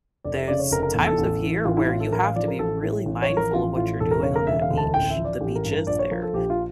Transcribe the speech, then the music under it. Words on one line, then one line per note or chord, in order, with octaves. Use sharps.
there's times of year where you have to be really mindful of what you're doing on that beach the beaches there,
F1 D5
E5
C#3 D5
C#5
F1 A#4
A#4
E2 A4
A4
A1
E3
A1 F4
E4
A2 F4
A4
A1 A#4
F5
F3 D5
A#4
A1 A4
A2
A1
C#5
F3
A#4
A1 F4
A2 F4
E1 A4
A#4
C#3 C#5
A#4
E1 E5
F5
D2
A5
A1 G5
E5
F3
D5
A1 G4
A#4
G2
A#4
A#1 D5
C#5
F3 A#4
A4
A#1 G4
F4